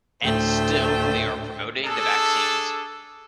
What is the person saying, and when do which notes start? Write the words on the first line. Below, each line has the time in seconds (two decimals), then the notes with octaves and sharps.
And still they are promoting the vaccines.
0.22 D2 A2 A3 C5 G5
1.85 D4 G#4 A4